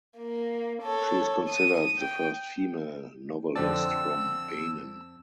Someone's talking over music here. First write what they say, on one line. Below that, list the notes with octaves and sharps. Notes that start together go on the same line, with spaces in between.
She is considered the first female novelist from Benin.
A#3
A4 C#5
D#6 D#7
G5
F2 D3 F3 C4 D5 A5 E6